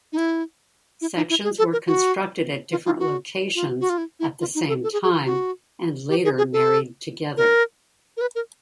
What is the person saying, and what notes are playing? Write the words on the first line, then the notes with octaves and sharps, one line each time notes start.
Sections were constructed at different locations at the same time and later married together.
D#4
E4
E4
D#4
E4
G#4
A4
A#4
F#4
F4
F4
F#4
F4
F#4
F4
E4
E4
F4
D#4
A4
A4
G#4
G#4
F#4
G4
G#4
G#4
A4
A#4
A#4
B4
A#4